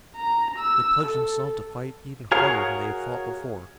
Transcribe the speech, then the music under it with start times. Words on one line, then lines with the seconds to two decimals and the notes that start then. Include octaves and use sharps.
They pledged themselves to fight even harder than they had fought before.
0.16 A#5
0.58 E6
1.04 A4
2.32 F#4 G#4 A#4 C#5 F5